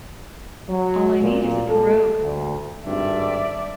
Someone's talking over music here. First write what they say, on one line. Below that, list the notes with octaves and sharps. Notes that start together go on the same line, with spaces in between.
All I need is a pirogue.
F#3
A#2
A4
D2
G#1 G2 D5 E5